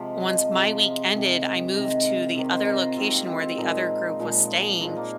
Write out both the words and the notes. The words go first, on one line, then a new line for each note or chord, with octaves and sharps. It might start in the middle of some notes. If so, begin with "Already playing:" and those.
once my week ended, I moved to the other location where the other group was staying,
Already playing: C3 F3 G#3
D#5
C3 F3 G#3
C3 D#3 G#3
C3 D#3 G#3 D#5
F5
C3 D#3 G#3
C5
A#4
F4
C3 D#3 G#3 C4
A#3
C4
C4
A#2 F3 G#3 D#4
A#2 F3 G#3
A#2 F3 G#3 D#4
A#3